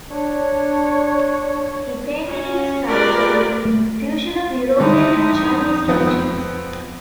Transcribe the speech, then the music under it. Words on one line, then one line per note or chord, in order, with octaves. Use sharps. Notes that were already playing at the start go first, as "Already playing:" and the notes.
He painted in a style that is a fusion of European and Chinese traditions.
D4 C#5
C#4
F4 G4 G#4 A#4 B4 D5
A3
D3 G3 D#4 E4
F2
F3 B3 C4